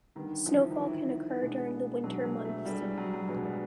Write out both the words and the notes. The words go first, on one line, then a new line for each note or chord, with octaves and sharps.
Snowfall can occur during the winter months.
D3 D#3 G3 B3
F3
E3
D#3
D3 E3 G3 B3
B2 G#3 B3 D4
B2 F#3 G#3 B3 D4
F#3
A3
B2 G3 G#3 B3 D4
G3
F#3
F#3
B2 F#3 G#3 B3 D4
G3